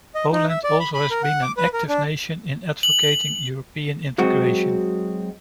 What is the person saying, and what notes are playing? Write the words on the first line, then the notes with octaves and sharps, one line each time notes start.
Poland also has been an active nation in advocating European integration.
D#5
D#4
E5
D5
B5
B5
A#4
F#5
D6
B4
A#4
D4
F#7
F#3 G#3 C4 F#4